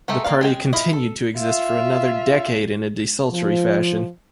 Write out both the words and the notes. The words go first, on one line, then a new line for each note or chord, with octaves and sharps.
The party continued to exist for another decade in a desultory fashion.
F#3 G#3 A3 G4 A4
A#3 A#4 D5 F5
G#3 G#4 G5
E4 F4 D#5
A4
F4 E5
F3